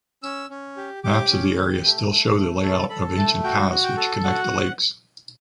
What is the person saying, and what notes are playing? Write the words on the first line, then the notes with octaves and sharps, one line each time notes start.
Maps of the area still show the layout of ancient paths which connect the lakes.
C#4 E6
C#4
G4
G4 D6
C#4
G4
A3
A3
A3
A4 C#6
A4 B5
A3 A5
F#4 G5
F#4
G5
A4
F#4 F#5